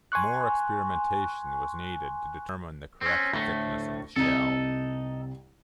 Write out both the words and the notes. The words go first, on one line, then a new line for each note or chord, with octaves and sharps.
More experimentation was needed to determine the correct thickness of the shell.
G#5 C6 C#6 F#6
C4 C#4
D2 A2 A3 A#6
C2 C3 D#4 A4